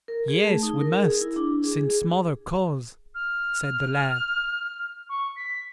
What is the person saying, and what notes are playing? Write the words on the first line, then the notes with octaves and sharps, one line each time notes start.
'Yes, we must, since mother calls', said the lad.
A#4
G#4
A3
D#4
A#4
G#4
E4
D4
G#4
G#4
F6
C#6
B6